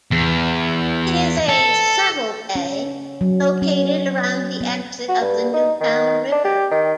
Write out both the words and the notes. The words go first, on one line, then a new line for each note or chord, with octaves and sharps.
It is a subtle bay located around the exit of the Newtown River.
E2
A4
C#4
F#3
C#4
B3
F#4
G2
D#4
D#3
D4
G4
D#3